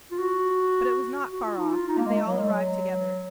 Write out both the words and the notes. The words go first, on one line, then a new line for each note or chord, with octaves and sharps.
But it was not far off and they all arrived together.
F4
F#4
F#4
F4
D#4
F4
D#4
A#3
G#3
F#3
G#3
F#3